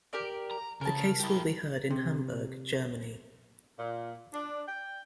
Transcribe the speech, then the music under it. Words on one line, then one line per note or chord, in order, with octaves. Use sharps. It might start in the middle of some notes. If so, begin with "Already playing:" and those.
The case will be heard in Hamburg, Germany.
G4 A#4 D5
A#5
C#3 A#4 A5
E4 G4
C3
A#2
D4
G5